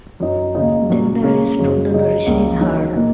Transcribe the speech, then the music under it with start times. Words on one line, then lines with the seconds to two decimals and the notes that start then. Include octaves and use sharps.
Then the rest of the narration is heard.
0.20 F#2 F#3 D#4
0.55 D#2 C#3 G#3 D#4
0.89 A#2 F#3 A#3 C#4
1.23 C#3 A#3 C#4
1.57 F#2 C#3 G#3 C#4
1.92 C#3 G#3 D#4
2.26 C#2 C#3 A#3
2.60 D#2 D#3 F#3
2.94 A#2 A#3 D#4